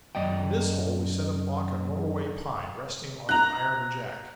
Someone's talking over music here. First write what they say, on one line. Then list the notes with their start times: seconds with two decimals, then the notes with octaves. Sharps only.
In this hole we set a block of Norway pine resting on an iron jack.
0.15 F#2 D5 D#5 G5
3.29 A#5 F#6